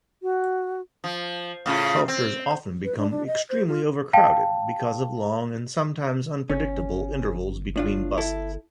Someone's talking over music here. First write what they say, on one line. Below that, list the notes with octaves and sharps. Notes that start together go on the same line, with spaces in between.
Shelters often become extremely overcrowded because of long and sometimes unpredictable intervals between buses.
F#4
F3
A2 C#3 F4
C4
B4
D4
D4
D#5
C5
F4
F5 G5 A5
G1 C#4
A2 D4 F4
E4 A4